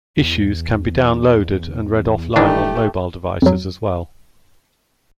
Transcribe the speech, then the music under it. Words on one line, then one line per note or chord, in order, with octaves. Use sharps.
Issues can be downloaded and read offline on mobile devices as well.
E2
D#1 D#3 E3 A3 D4 G4
F2 F#3